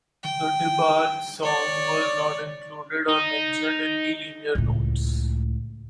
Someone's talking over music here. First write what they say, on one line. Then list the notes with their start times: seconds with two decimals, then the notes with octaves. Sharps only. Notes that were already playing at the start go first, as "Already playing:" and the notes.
The DeBarge song was not included or mentioned in the liner notes.
0.23 G5
1.42 C#5 D5
3.08 D#4
4.55 C#2 A2